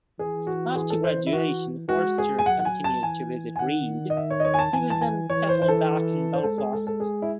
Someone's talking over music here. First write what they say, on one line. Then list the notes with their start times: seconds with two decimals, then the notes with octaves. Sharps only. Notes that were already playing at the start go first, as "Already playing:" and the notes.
After graduation Forster continued to visit Reid, who was then settled back in Belfast.
0.19 E3 G#4
0.47 F#4
0.75 G#4
0.90 A4
1.04 C5
1.27 E4
1.33 F#4
1.89 G#3 F#4
2.18 G#4
2.39 G#5
2.46 F#3 F#5
2.59 F#5
2.65 G#5
2.84 A5
3.03 E3 G#5
3.56 G#5
3.59 D#3 F#5
4.10 D#5
4.17 E5
4.30 C#5
4.40 D#5
4.45 C#5
4.54 G#5
4.59 A5
4.73 E3 G#5
4.90 A5
5.01 G#5
5.30 E3 C#5
5.49 C5
5.62 C5
5.68 A4
6.34 C5
6.43 G#3 A4
6.58 G#4
6.73 A4
6.87 A4
7.00 G#4
7.22 E4